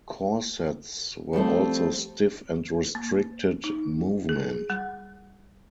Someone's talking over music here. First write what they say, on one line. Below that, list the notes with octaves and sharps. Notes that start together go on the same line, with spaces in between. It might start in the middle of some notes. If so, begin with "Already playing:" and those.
Corsets were also stiff and restricted movement.
F3 G3 A3 C4
A#3
D#4
G#4
G3